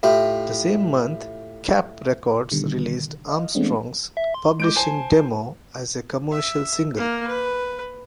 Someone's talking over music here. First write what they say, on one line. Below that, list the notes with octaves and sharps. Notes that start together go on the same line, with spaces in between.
The same month, Kapp Records released Armstrong's publishing demo as a commercial single.
A2 E4 F4 G4
B2 D3 D#3 G3
D#5 F5
E3 G#3 A3 B3 C4 D4
E5
C6
G#3 D6 G6 D7
C5 G#5 A5
E5
A#3 A#4
B4